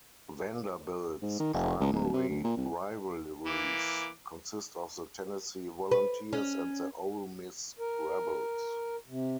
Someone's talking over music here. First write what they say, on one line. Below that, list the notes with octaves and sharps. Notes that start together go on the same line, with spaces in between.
Vanderbilt's primary rivalries consist of the Tennessee Volunteers and the Ole Miss Rebels.
G#2
D#3
F1
C#2
D1
C3
D2
A#2
C2
E3 A#3 D6
B4
C#4
A#4
C3